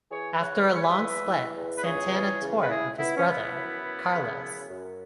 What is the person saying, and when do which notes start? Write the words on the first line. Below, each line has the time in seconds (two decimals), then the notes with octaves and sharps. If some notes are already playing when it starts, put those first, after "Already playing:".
After a long split, Santana toured with his brother, Carlos.
0.11 E3 G#4 C#5
0.40 E2 C#5 F#5
0.68 E3 E5
0.76 C#5
0.82 B4 E5
0.97 E2
1.25 E3
1.55 E2
1.77 B4
1.83 C#2 G#4 C#5
2.12 E3
2.40 C#3
2.61 B4
2.69 C#2 E4 G#4
2.97 C#2 B3 E4
3.16 C#4
3.26 E3 B3 E4
3.55 F#2
3.84 E3
4.12 C#3
4.41 F#2
4.70 F#2